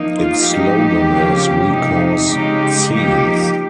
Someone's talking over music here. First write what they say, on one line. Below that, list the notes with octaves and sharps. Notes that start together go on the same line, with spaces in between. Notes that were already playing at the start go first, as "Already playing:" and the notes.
Its slogan is "We Cause Scenes".
Already playing: F3 A#3 D#4
F4
F3 G#3 C4 D#4 G4
C#3 F3 A#3
C3 F3 G#3 D#4
C#3 G#3 D#4 G4
F3 A#3 D#4 G4